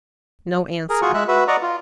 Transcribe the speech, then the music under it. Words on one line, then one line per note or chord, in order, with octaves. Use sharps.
No answer.
G#4 A#4
F4 F#4 G#4 C#6
G#3 E5 F#6
F#4 B4 E5
D5 D#5 F#5 A#5 C#6
F4